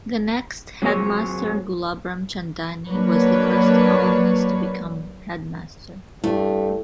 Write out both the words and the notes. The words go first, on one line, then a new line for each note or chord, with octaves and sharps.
The next headmaster, Gulab Ramchandani, was the first alumnus to become headmaster.
F#3 G#3 C4 G#4 C#5
F#3 A#3 D4 B4 C#5
G2 A3 E4